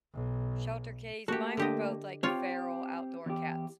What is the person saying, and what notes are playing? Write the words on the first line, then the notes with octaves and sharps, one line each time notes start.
shelter case? Mine were both, like, feral, outdoor cats
B1
A3 A#3 F#4 G4 A4
D3 G4 D#5
C4 F4 G4 C#5
E2 G4